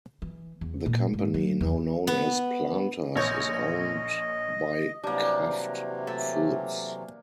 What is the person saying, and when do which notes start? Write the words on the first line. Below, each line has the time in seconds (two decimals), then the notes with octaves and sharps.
The company, now known as Planters, is owned by Kraft Foods.
0.22 E3
0.61 E2
0.86 A#2
1.13 G#2
1.34 F#3
1.61 E2
2.07 B3
3.16 A#1 C#5 D#5 G6
5.03 C3 E3 F#3 G3 A#3 D4
6.07 A3